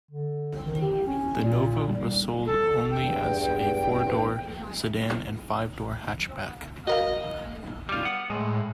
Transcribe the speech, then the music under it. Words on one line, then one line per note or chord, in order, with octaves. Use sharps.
The Nova was sold only as a four-door sedan and five-door hatchback.
D3
D#3
G4
C#4
A#2
G3
A4
E2 G2 G5
F#4 A#4 D#5 F5
G3 F4
B3 F#5
A2 G#3